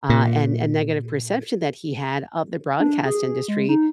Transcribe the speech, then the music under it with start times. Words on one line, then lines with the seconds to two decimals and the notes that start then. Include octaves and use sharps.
uh, and and negative perception that he had of the broadcast industry
0.10 A#2
2.79 D4
3.05 G#4
3.48 G#3
3.69 D#4